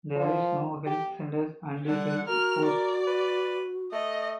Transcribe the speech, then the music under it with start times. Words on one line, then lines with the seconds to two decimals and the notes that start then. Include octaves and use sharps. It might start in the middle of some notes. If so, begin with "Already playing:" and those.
There is no health centers and health posts.
0.15 F3
0.87 G4
1.88 D3 G3 F#5
2.28 F#4 A#4 F6
2.66 D5
3.07 B4
3.92 A3 D#5